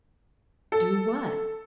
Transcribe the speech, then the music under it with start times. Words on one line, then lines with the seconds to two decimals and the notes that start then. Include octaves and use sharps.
"Do what?"
0.72 A4